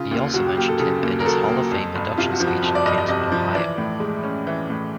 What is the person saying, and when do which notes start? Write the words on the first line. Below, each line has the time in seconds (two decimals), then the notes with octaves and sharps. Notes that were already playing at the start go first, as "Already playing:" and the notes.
He also mentioned him in his hall of fame induction speech in Canton, Ohio.
Already playing: C#3 F4
0.11 D#2
0.34 F#3 F#4
0.46 G4
0.57 A#3 G4
0.68 A4
0.79 C#3 A4
1.03 D#2
1.20 A#4
1.25 F#3 A4
1.48 A#3
1.71 F2
1.95 G1
2.17 C3 F4
2.32 F#4
2.40 F3
2.47 F#4
2.63 F2
2.75 D5
2.85 G1 D#5
2.98 D#5
3.08 C3 D#5
3.32 F3
3.55 E3 D5
3.78 A2
4.00 G#3
4.24 C#4
4.47 E3
4.70 A2